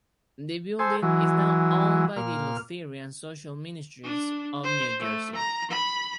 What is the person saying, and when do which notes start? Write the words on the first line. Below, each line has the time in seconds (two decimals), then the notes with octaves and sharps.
The building is now owned by the Lutheran Social Ministries of New Jersey.
0.79 G#4 A4 C5
1.02 E3 F#3 G#3
2.16 A#2 F6
4.04 D4
4.64 C5
4.99 A3
5.35 A#5
5.71 B5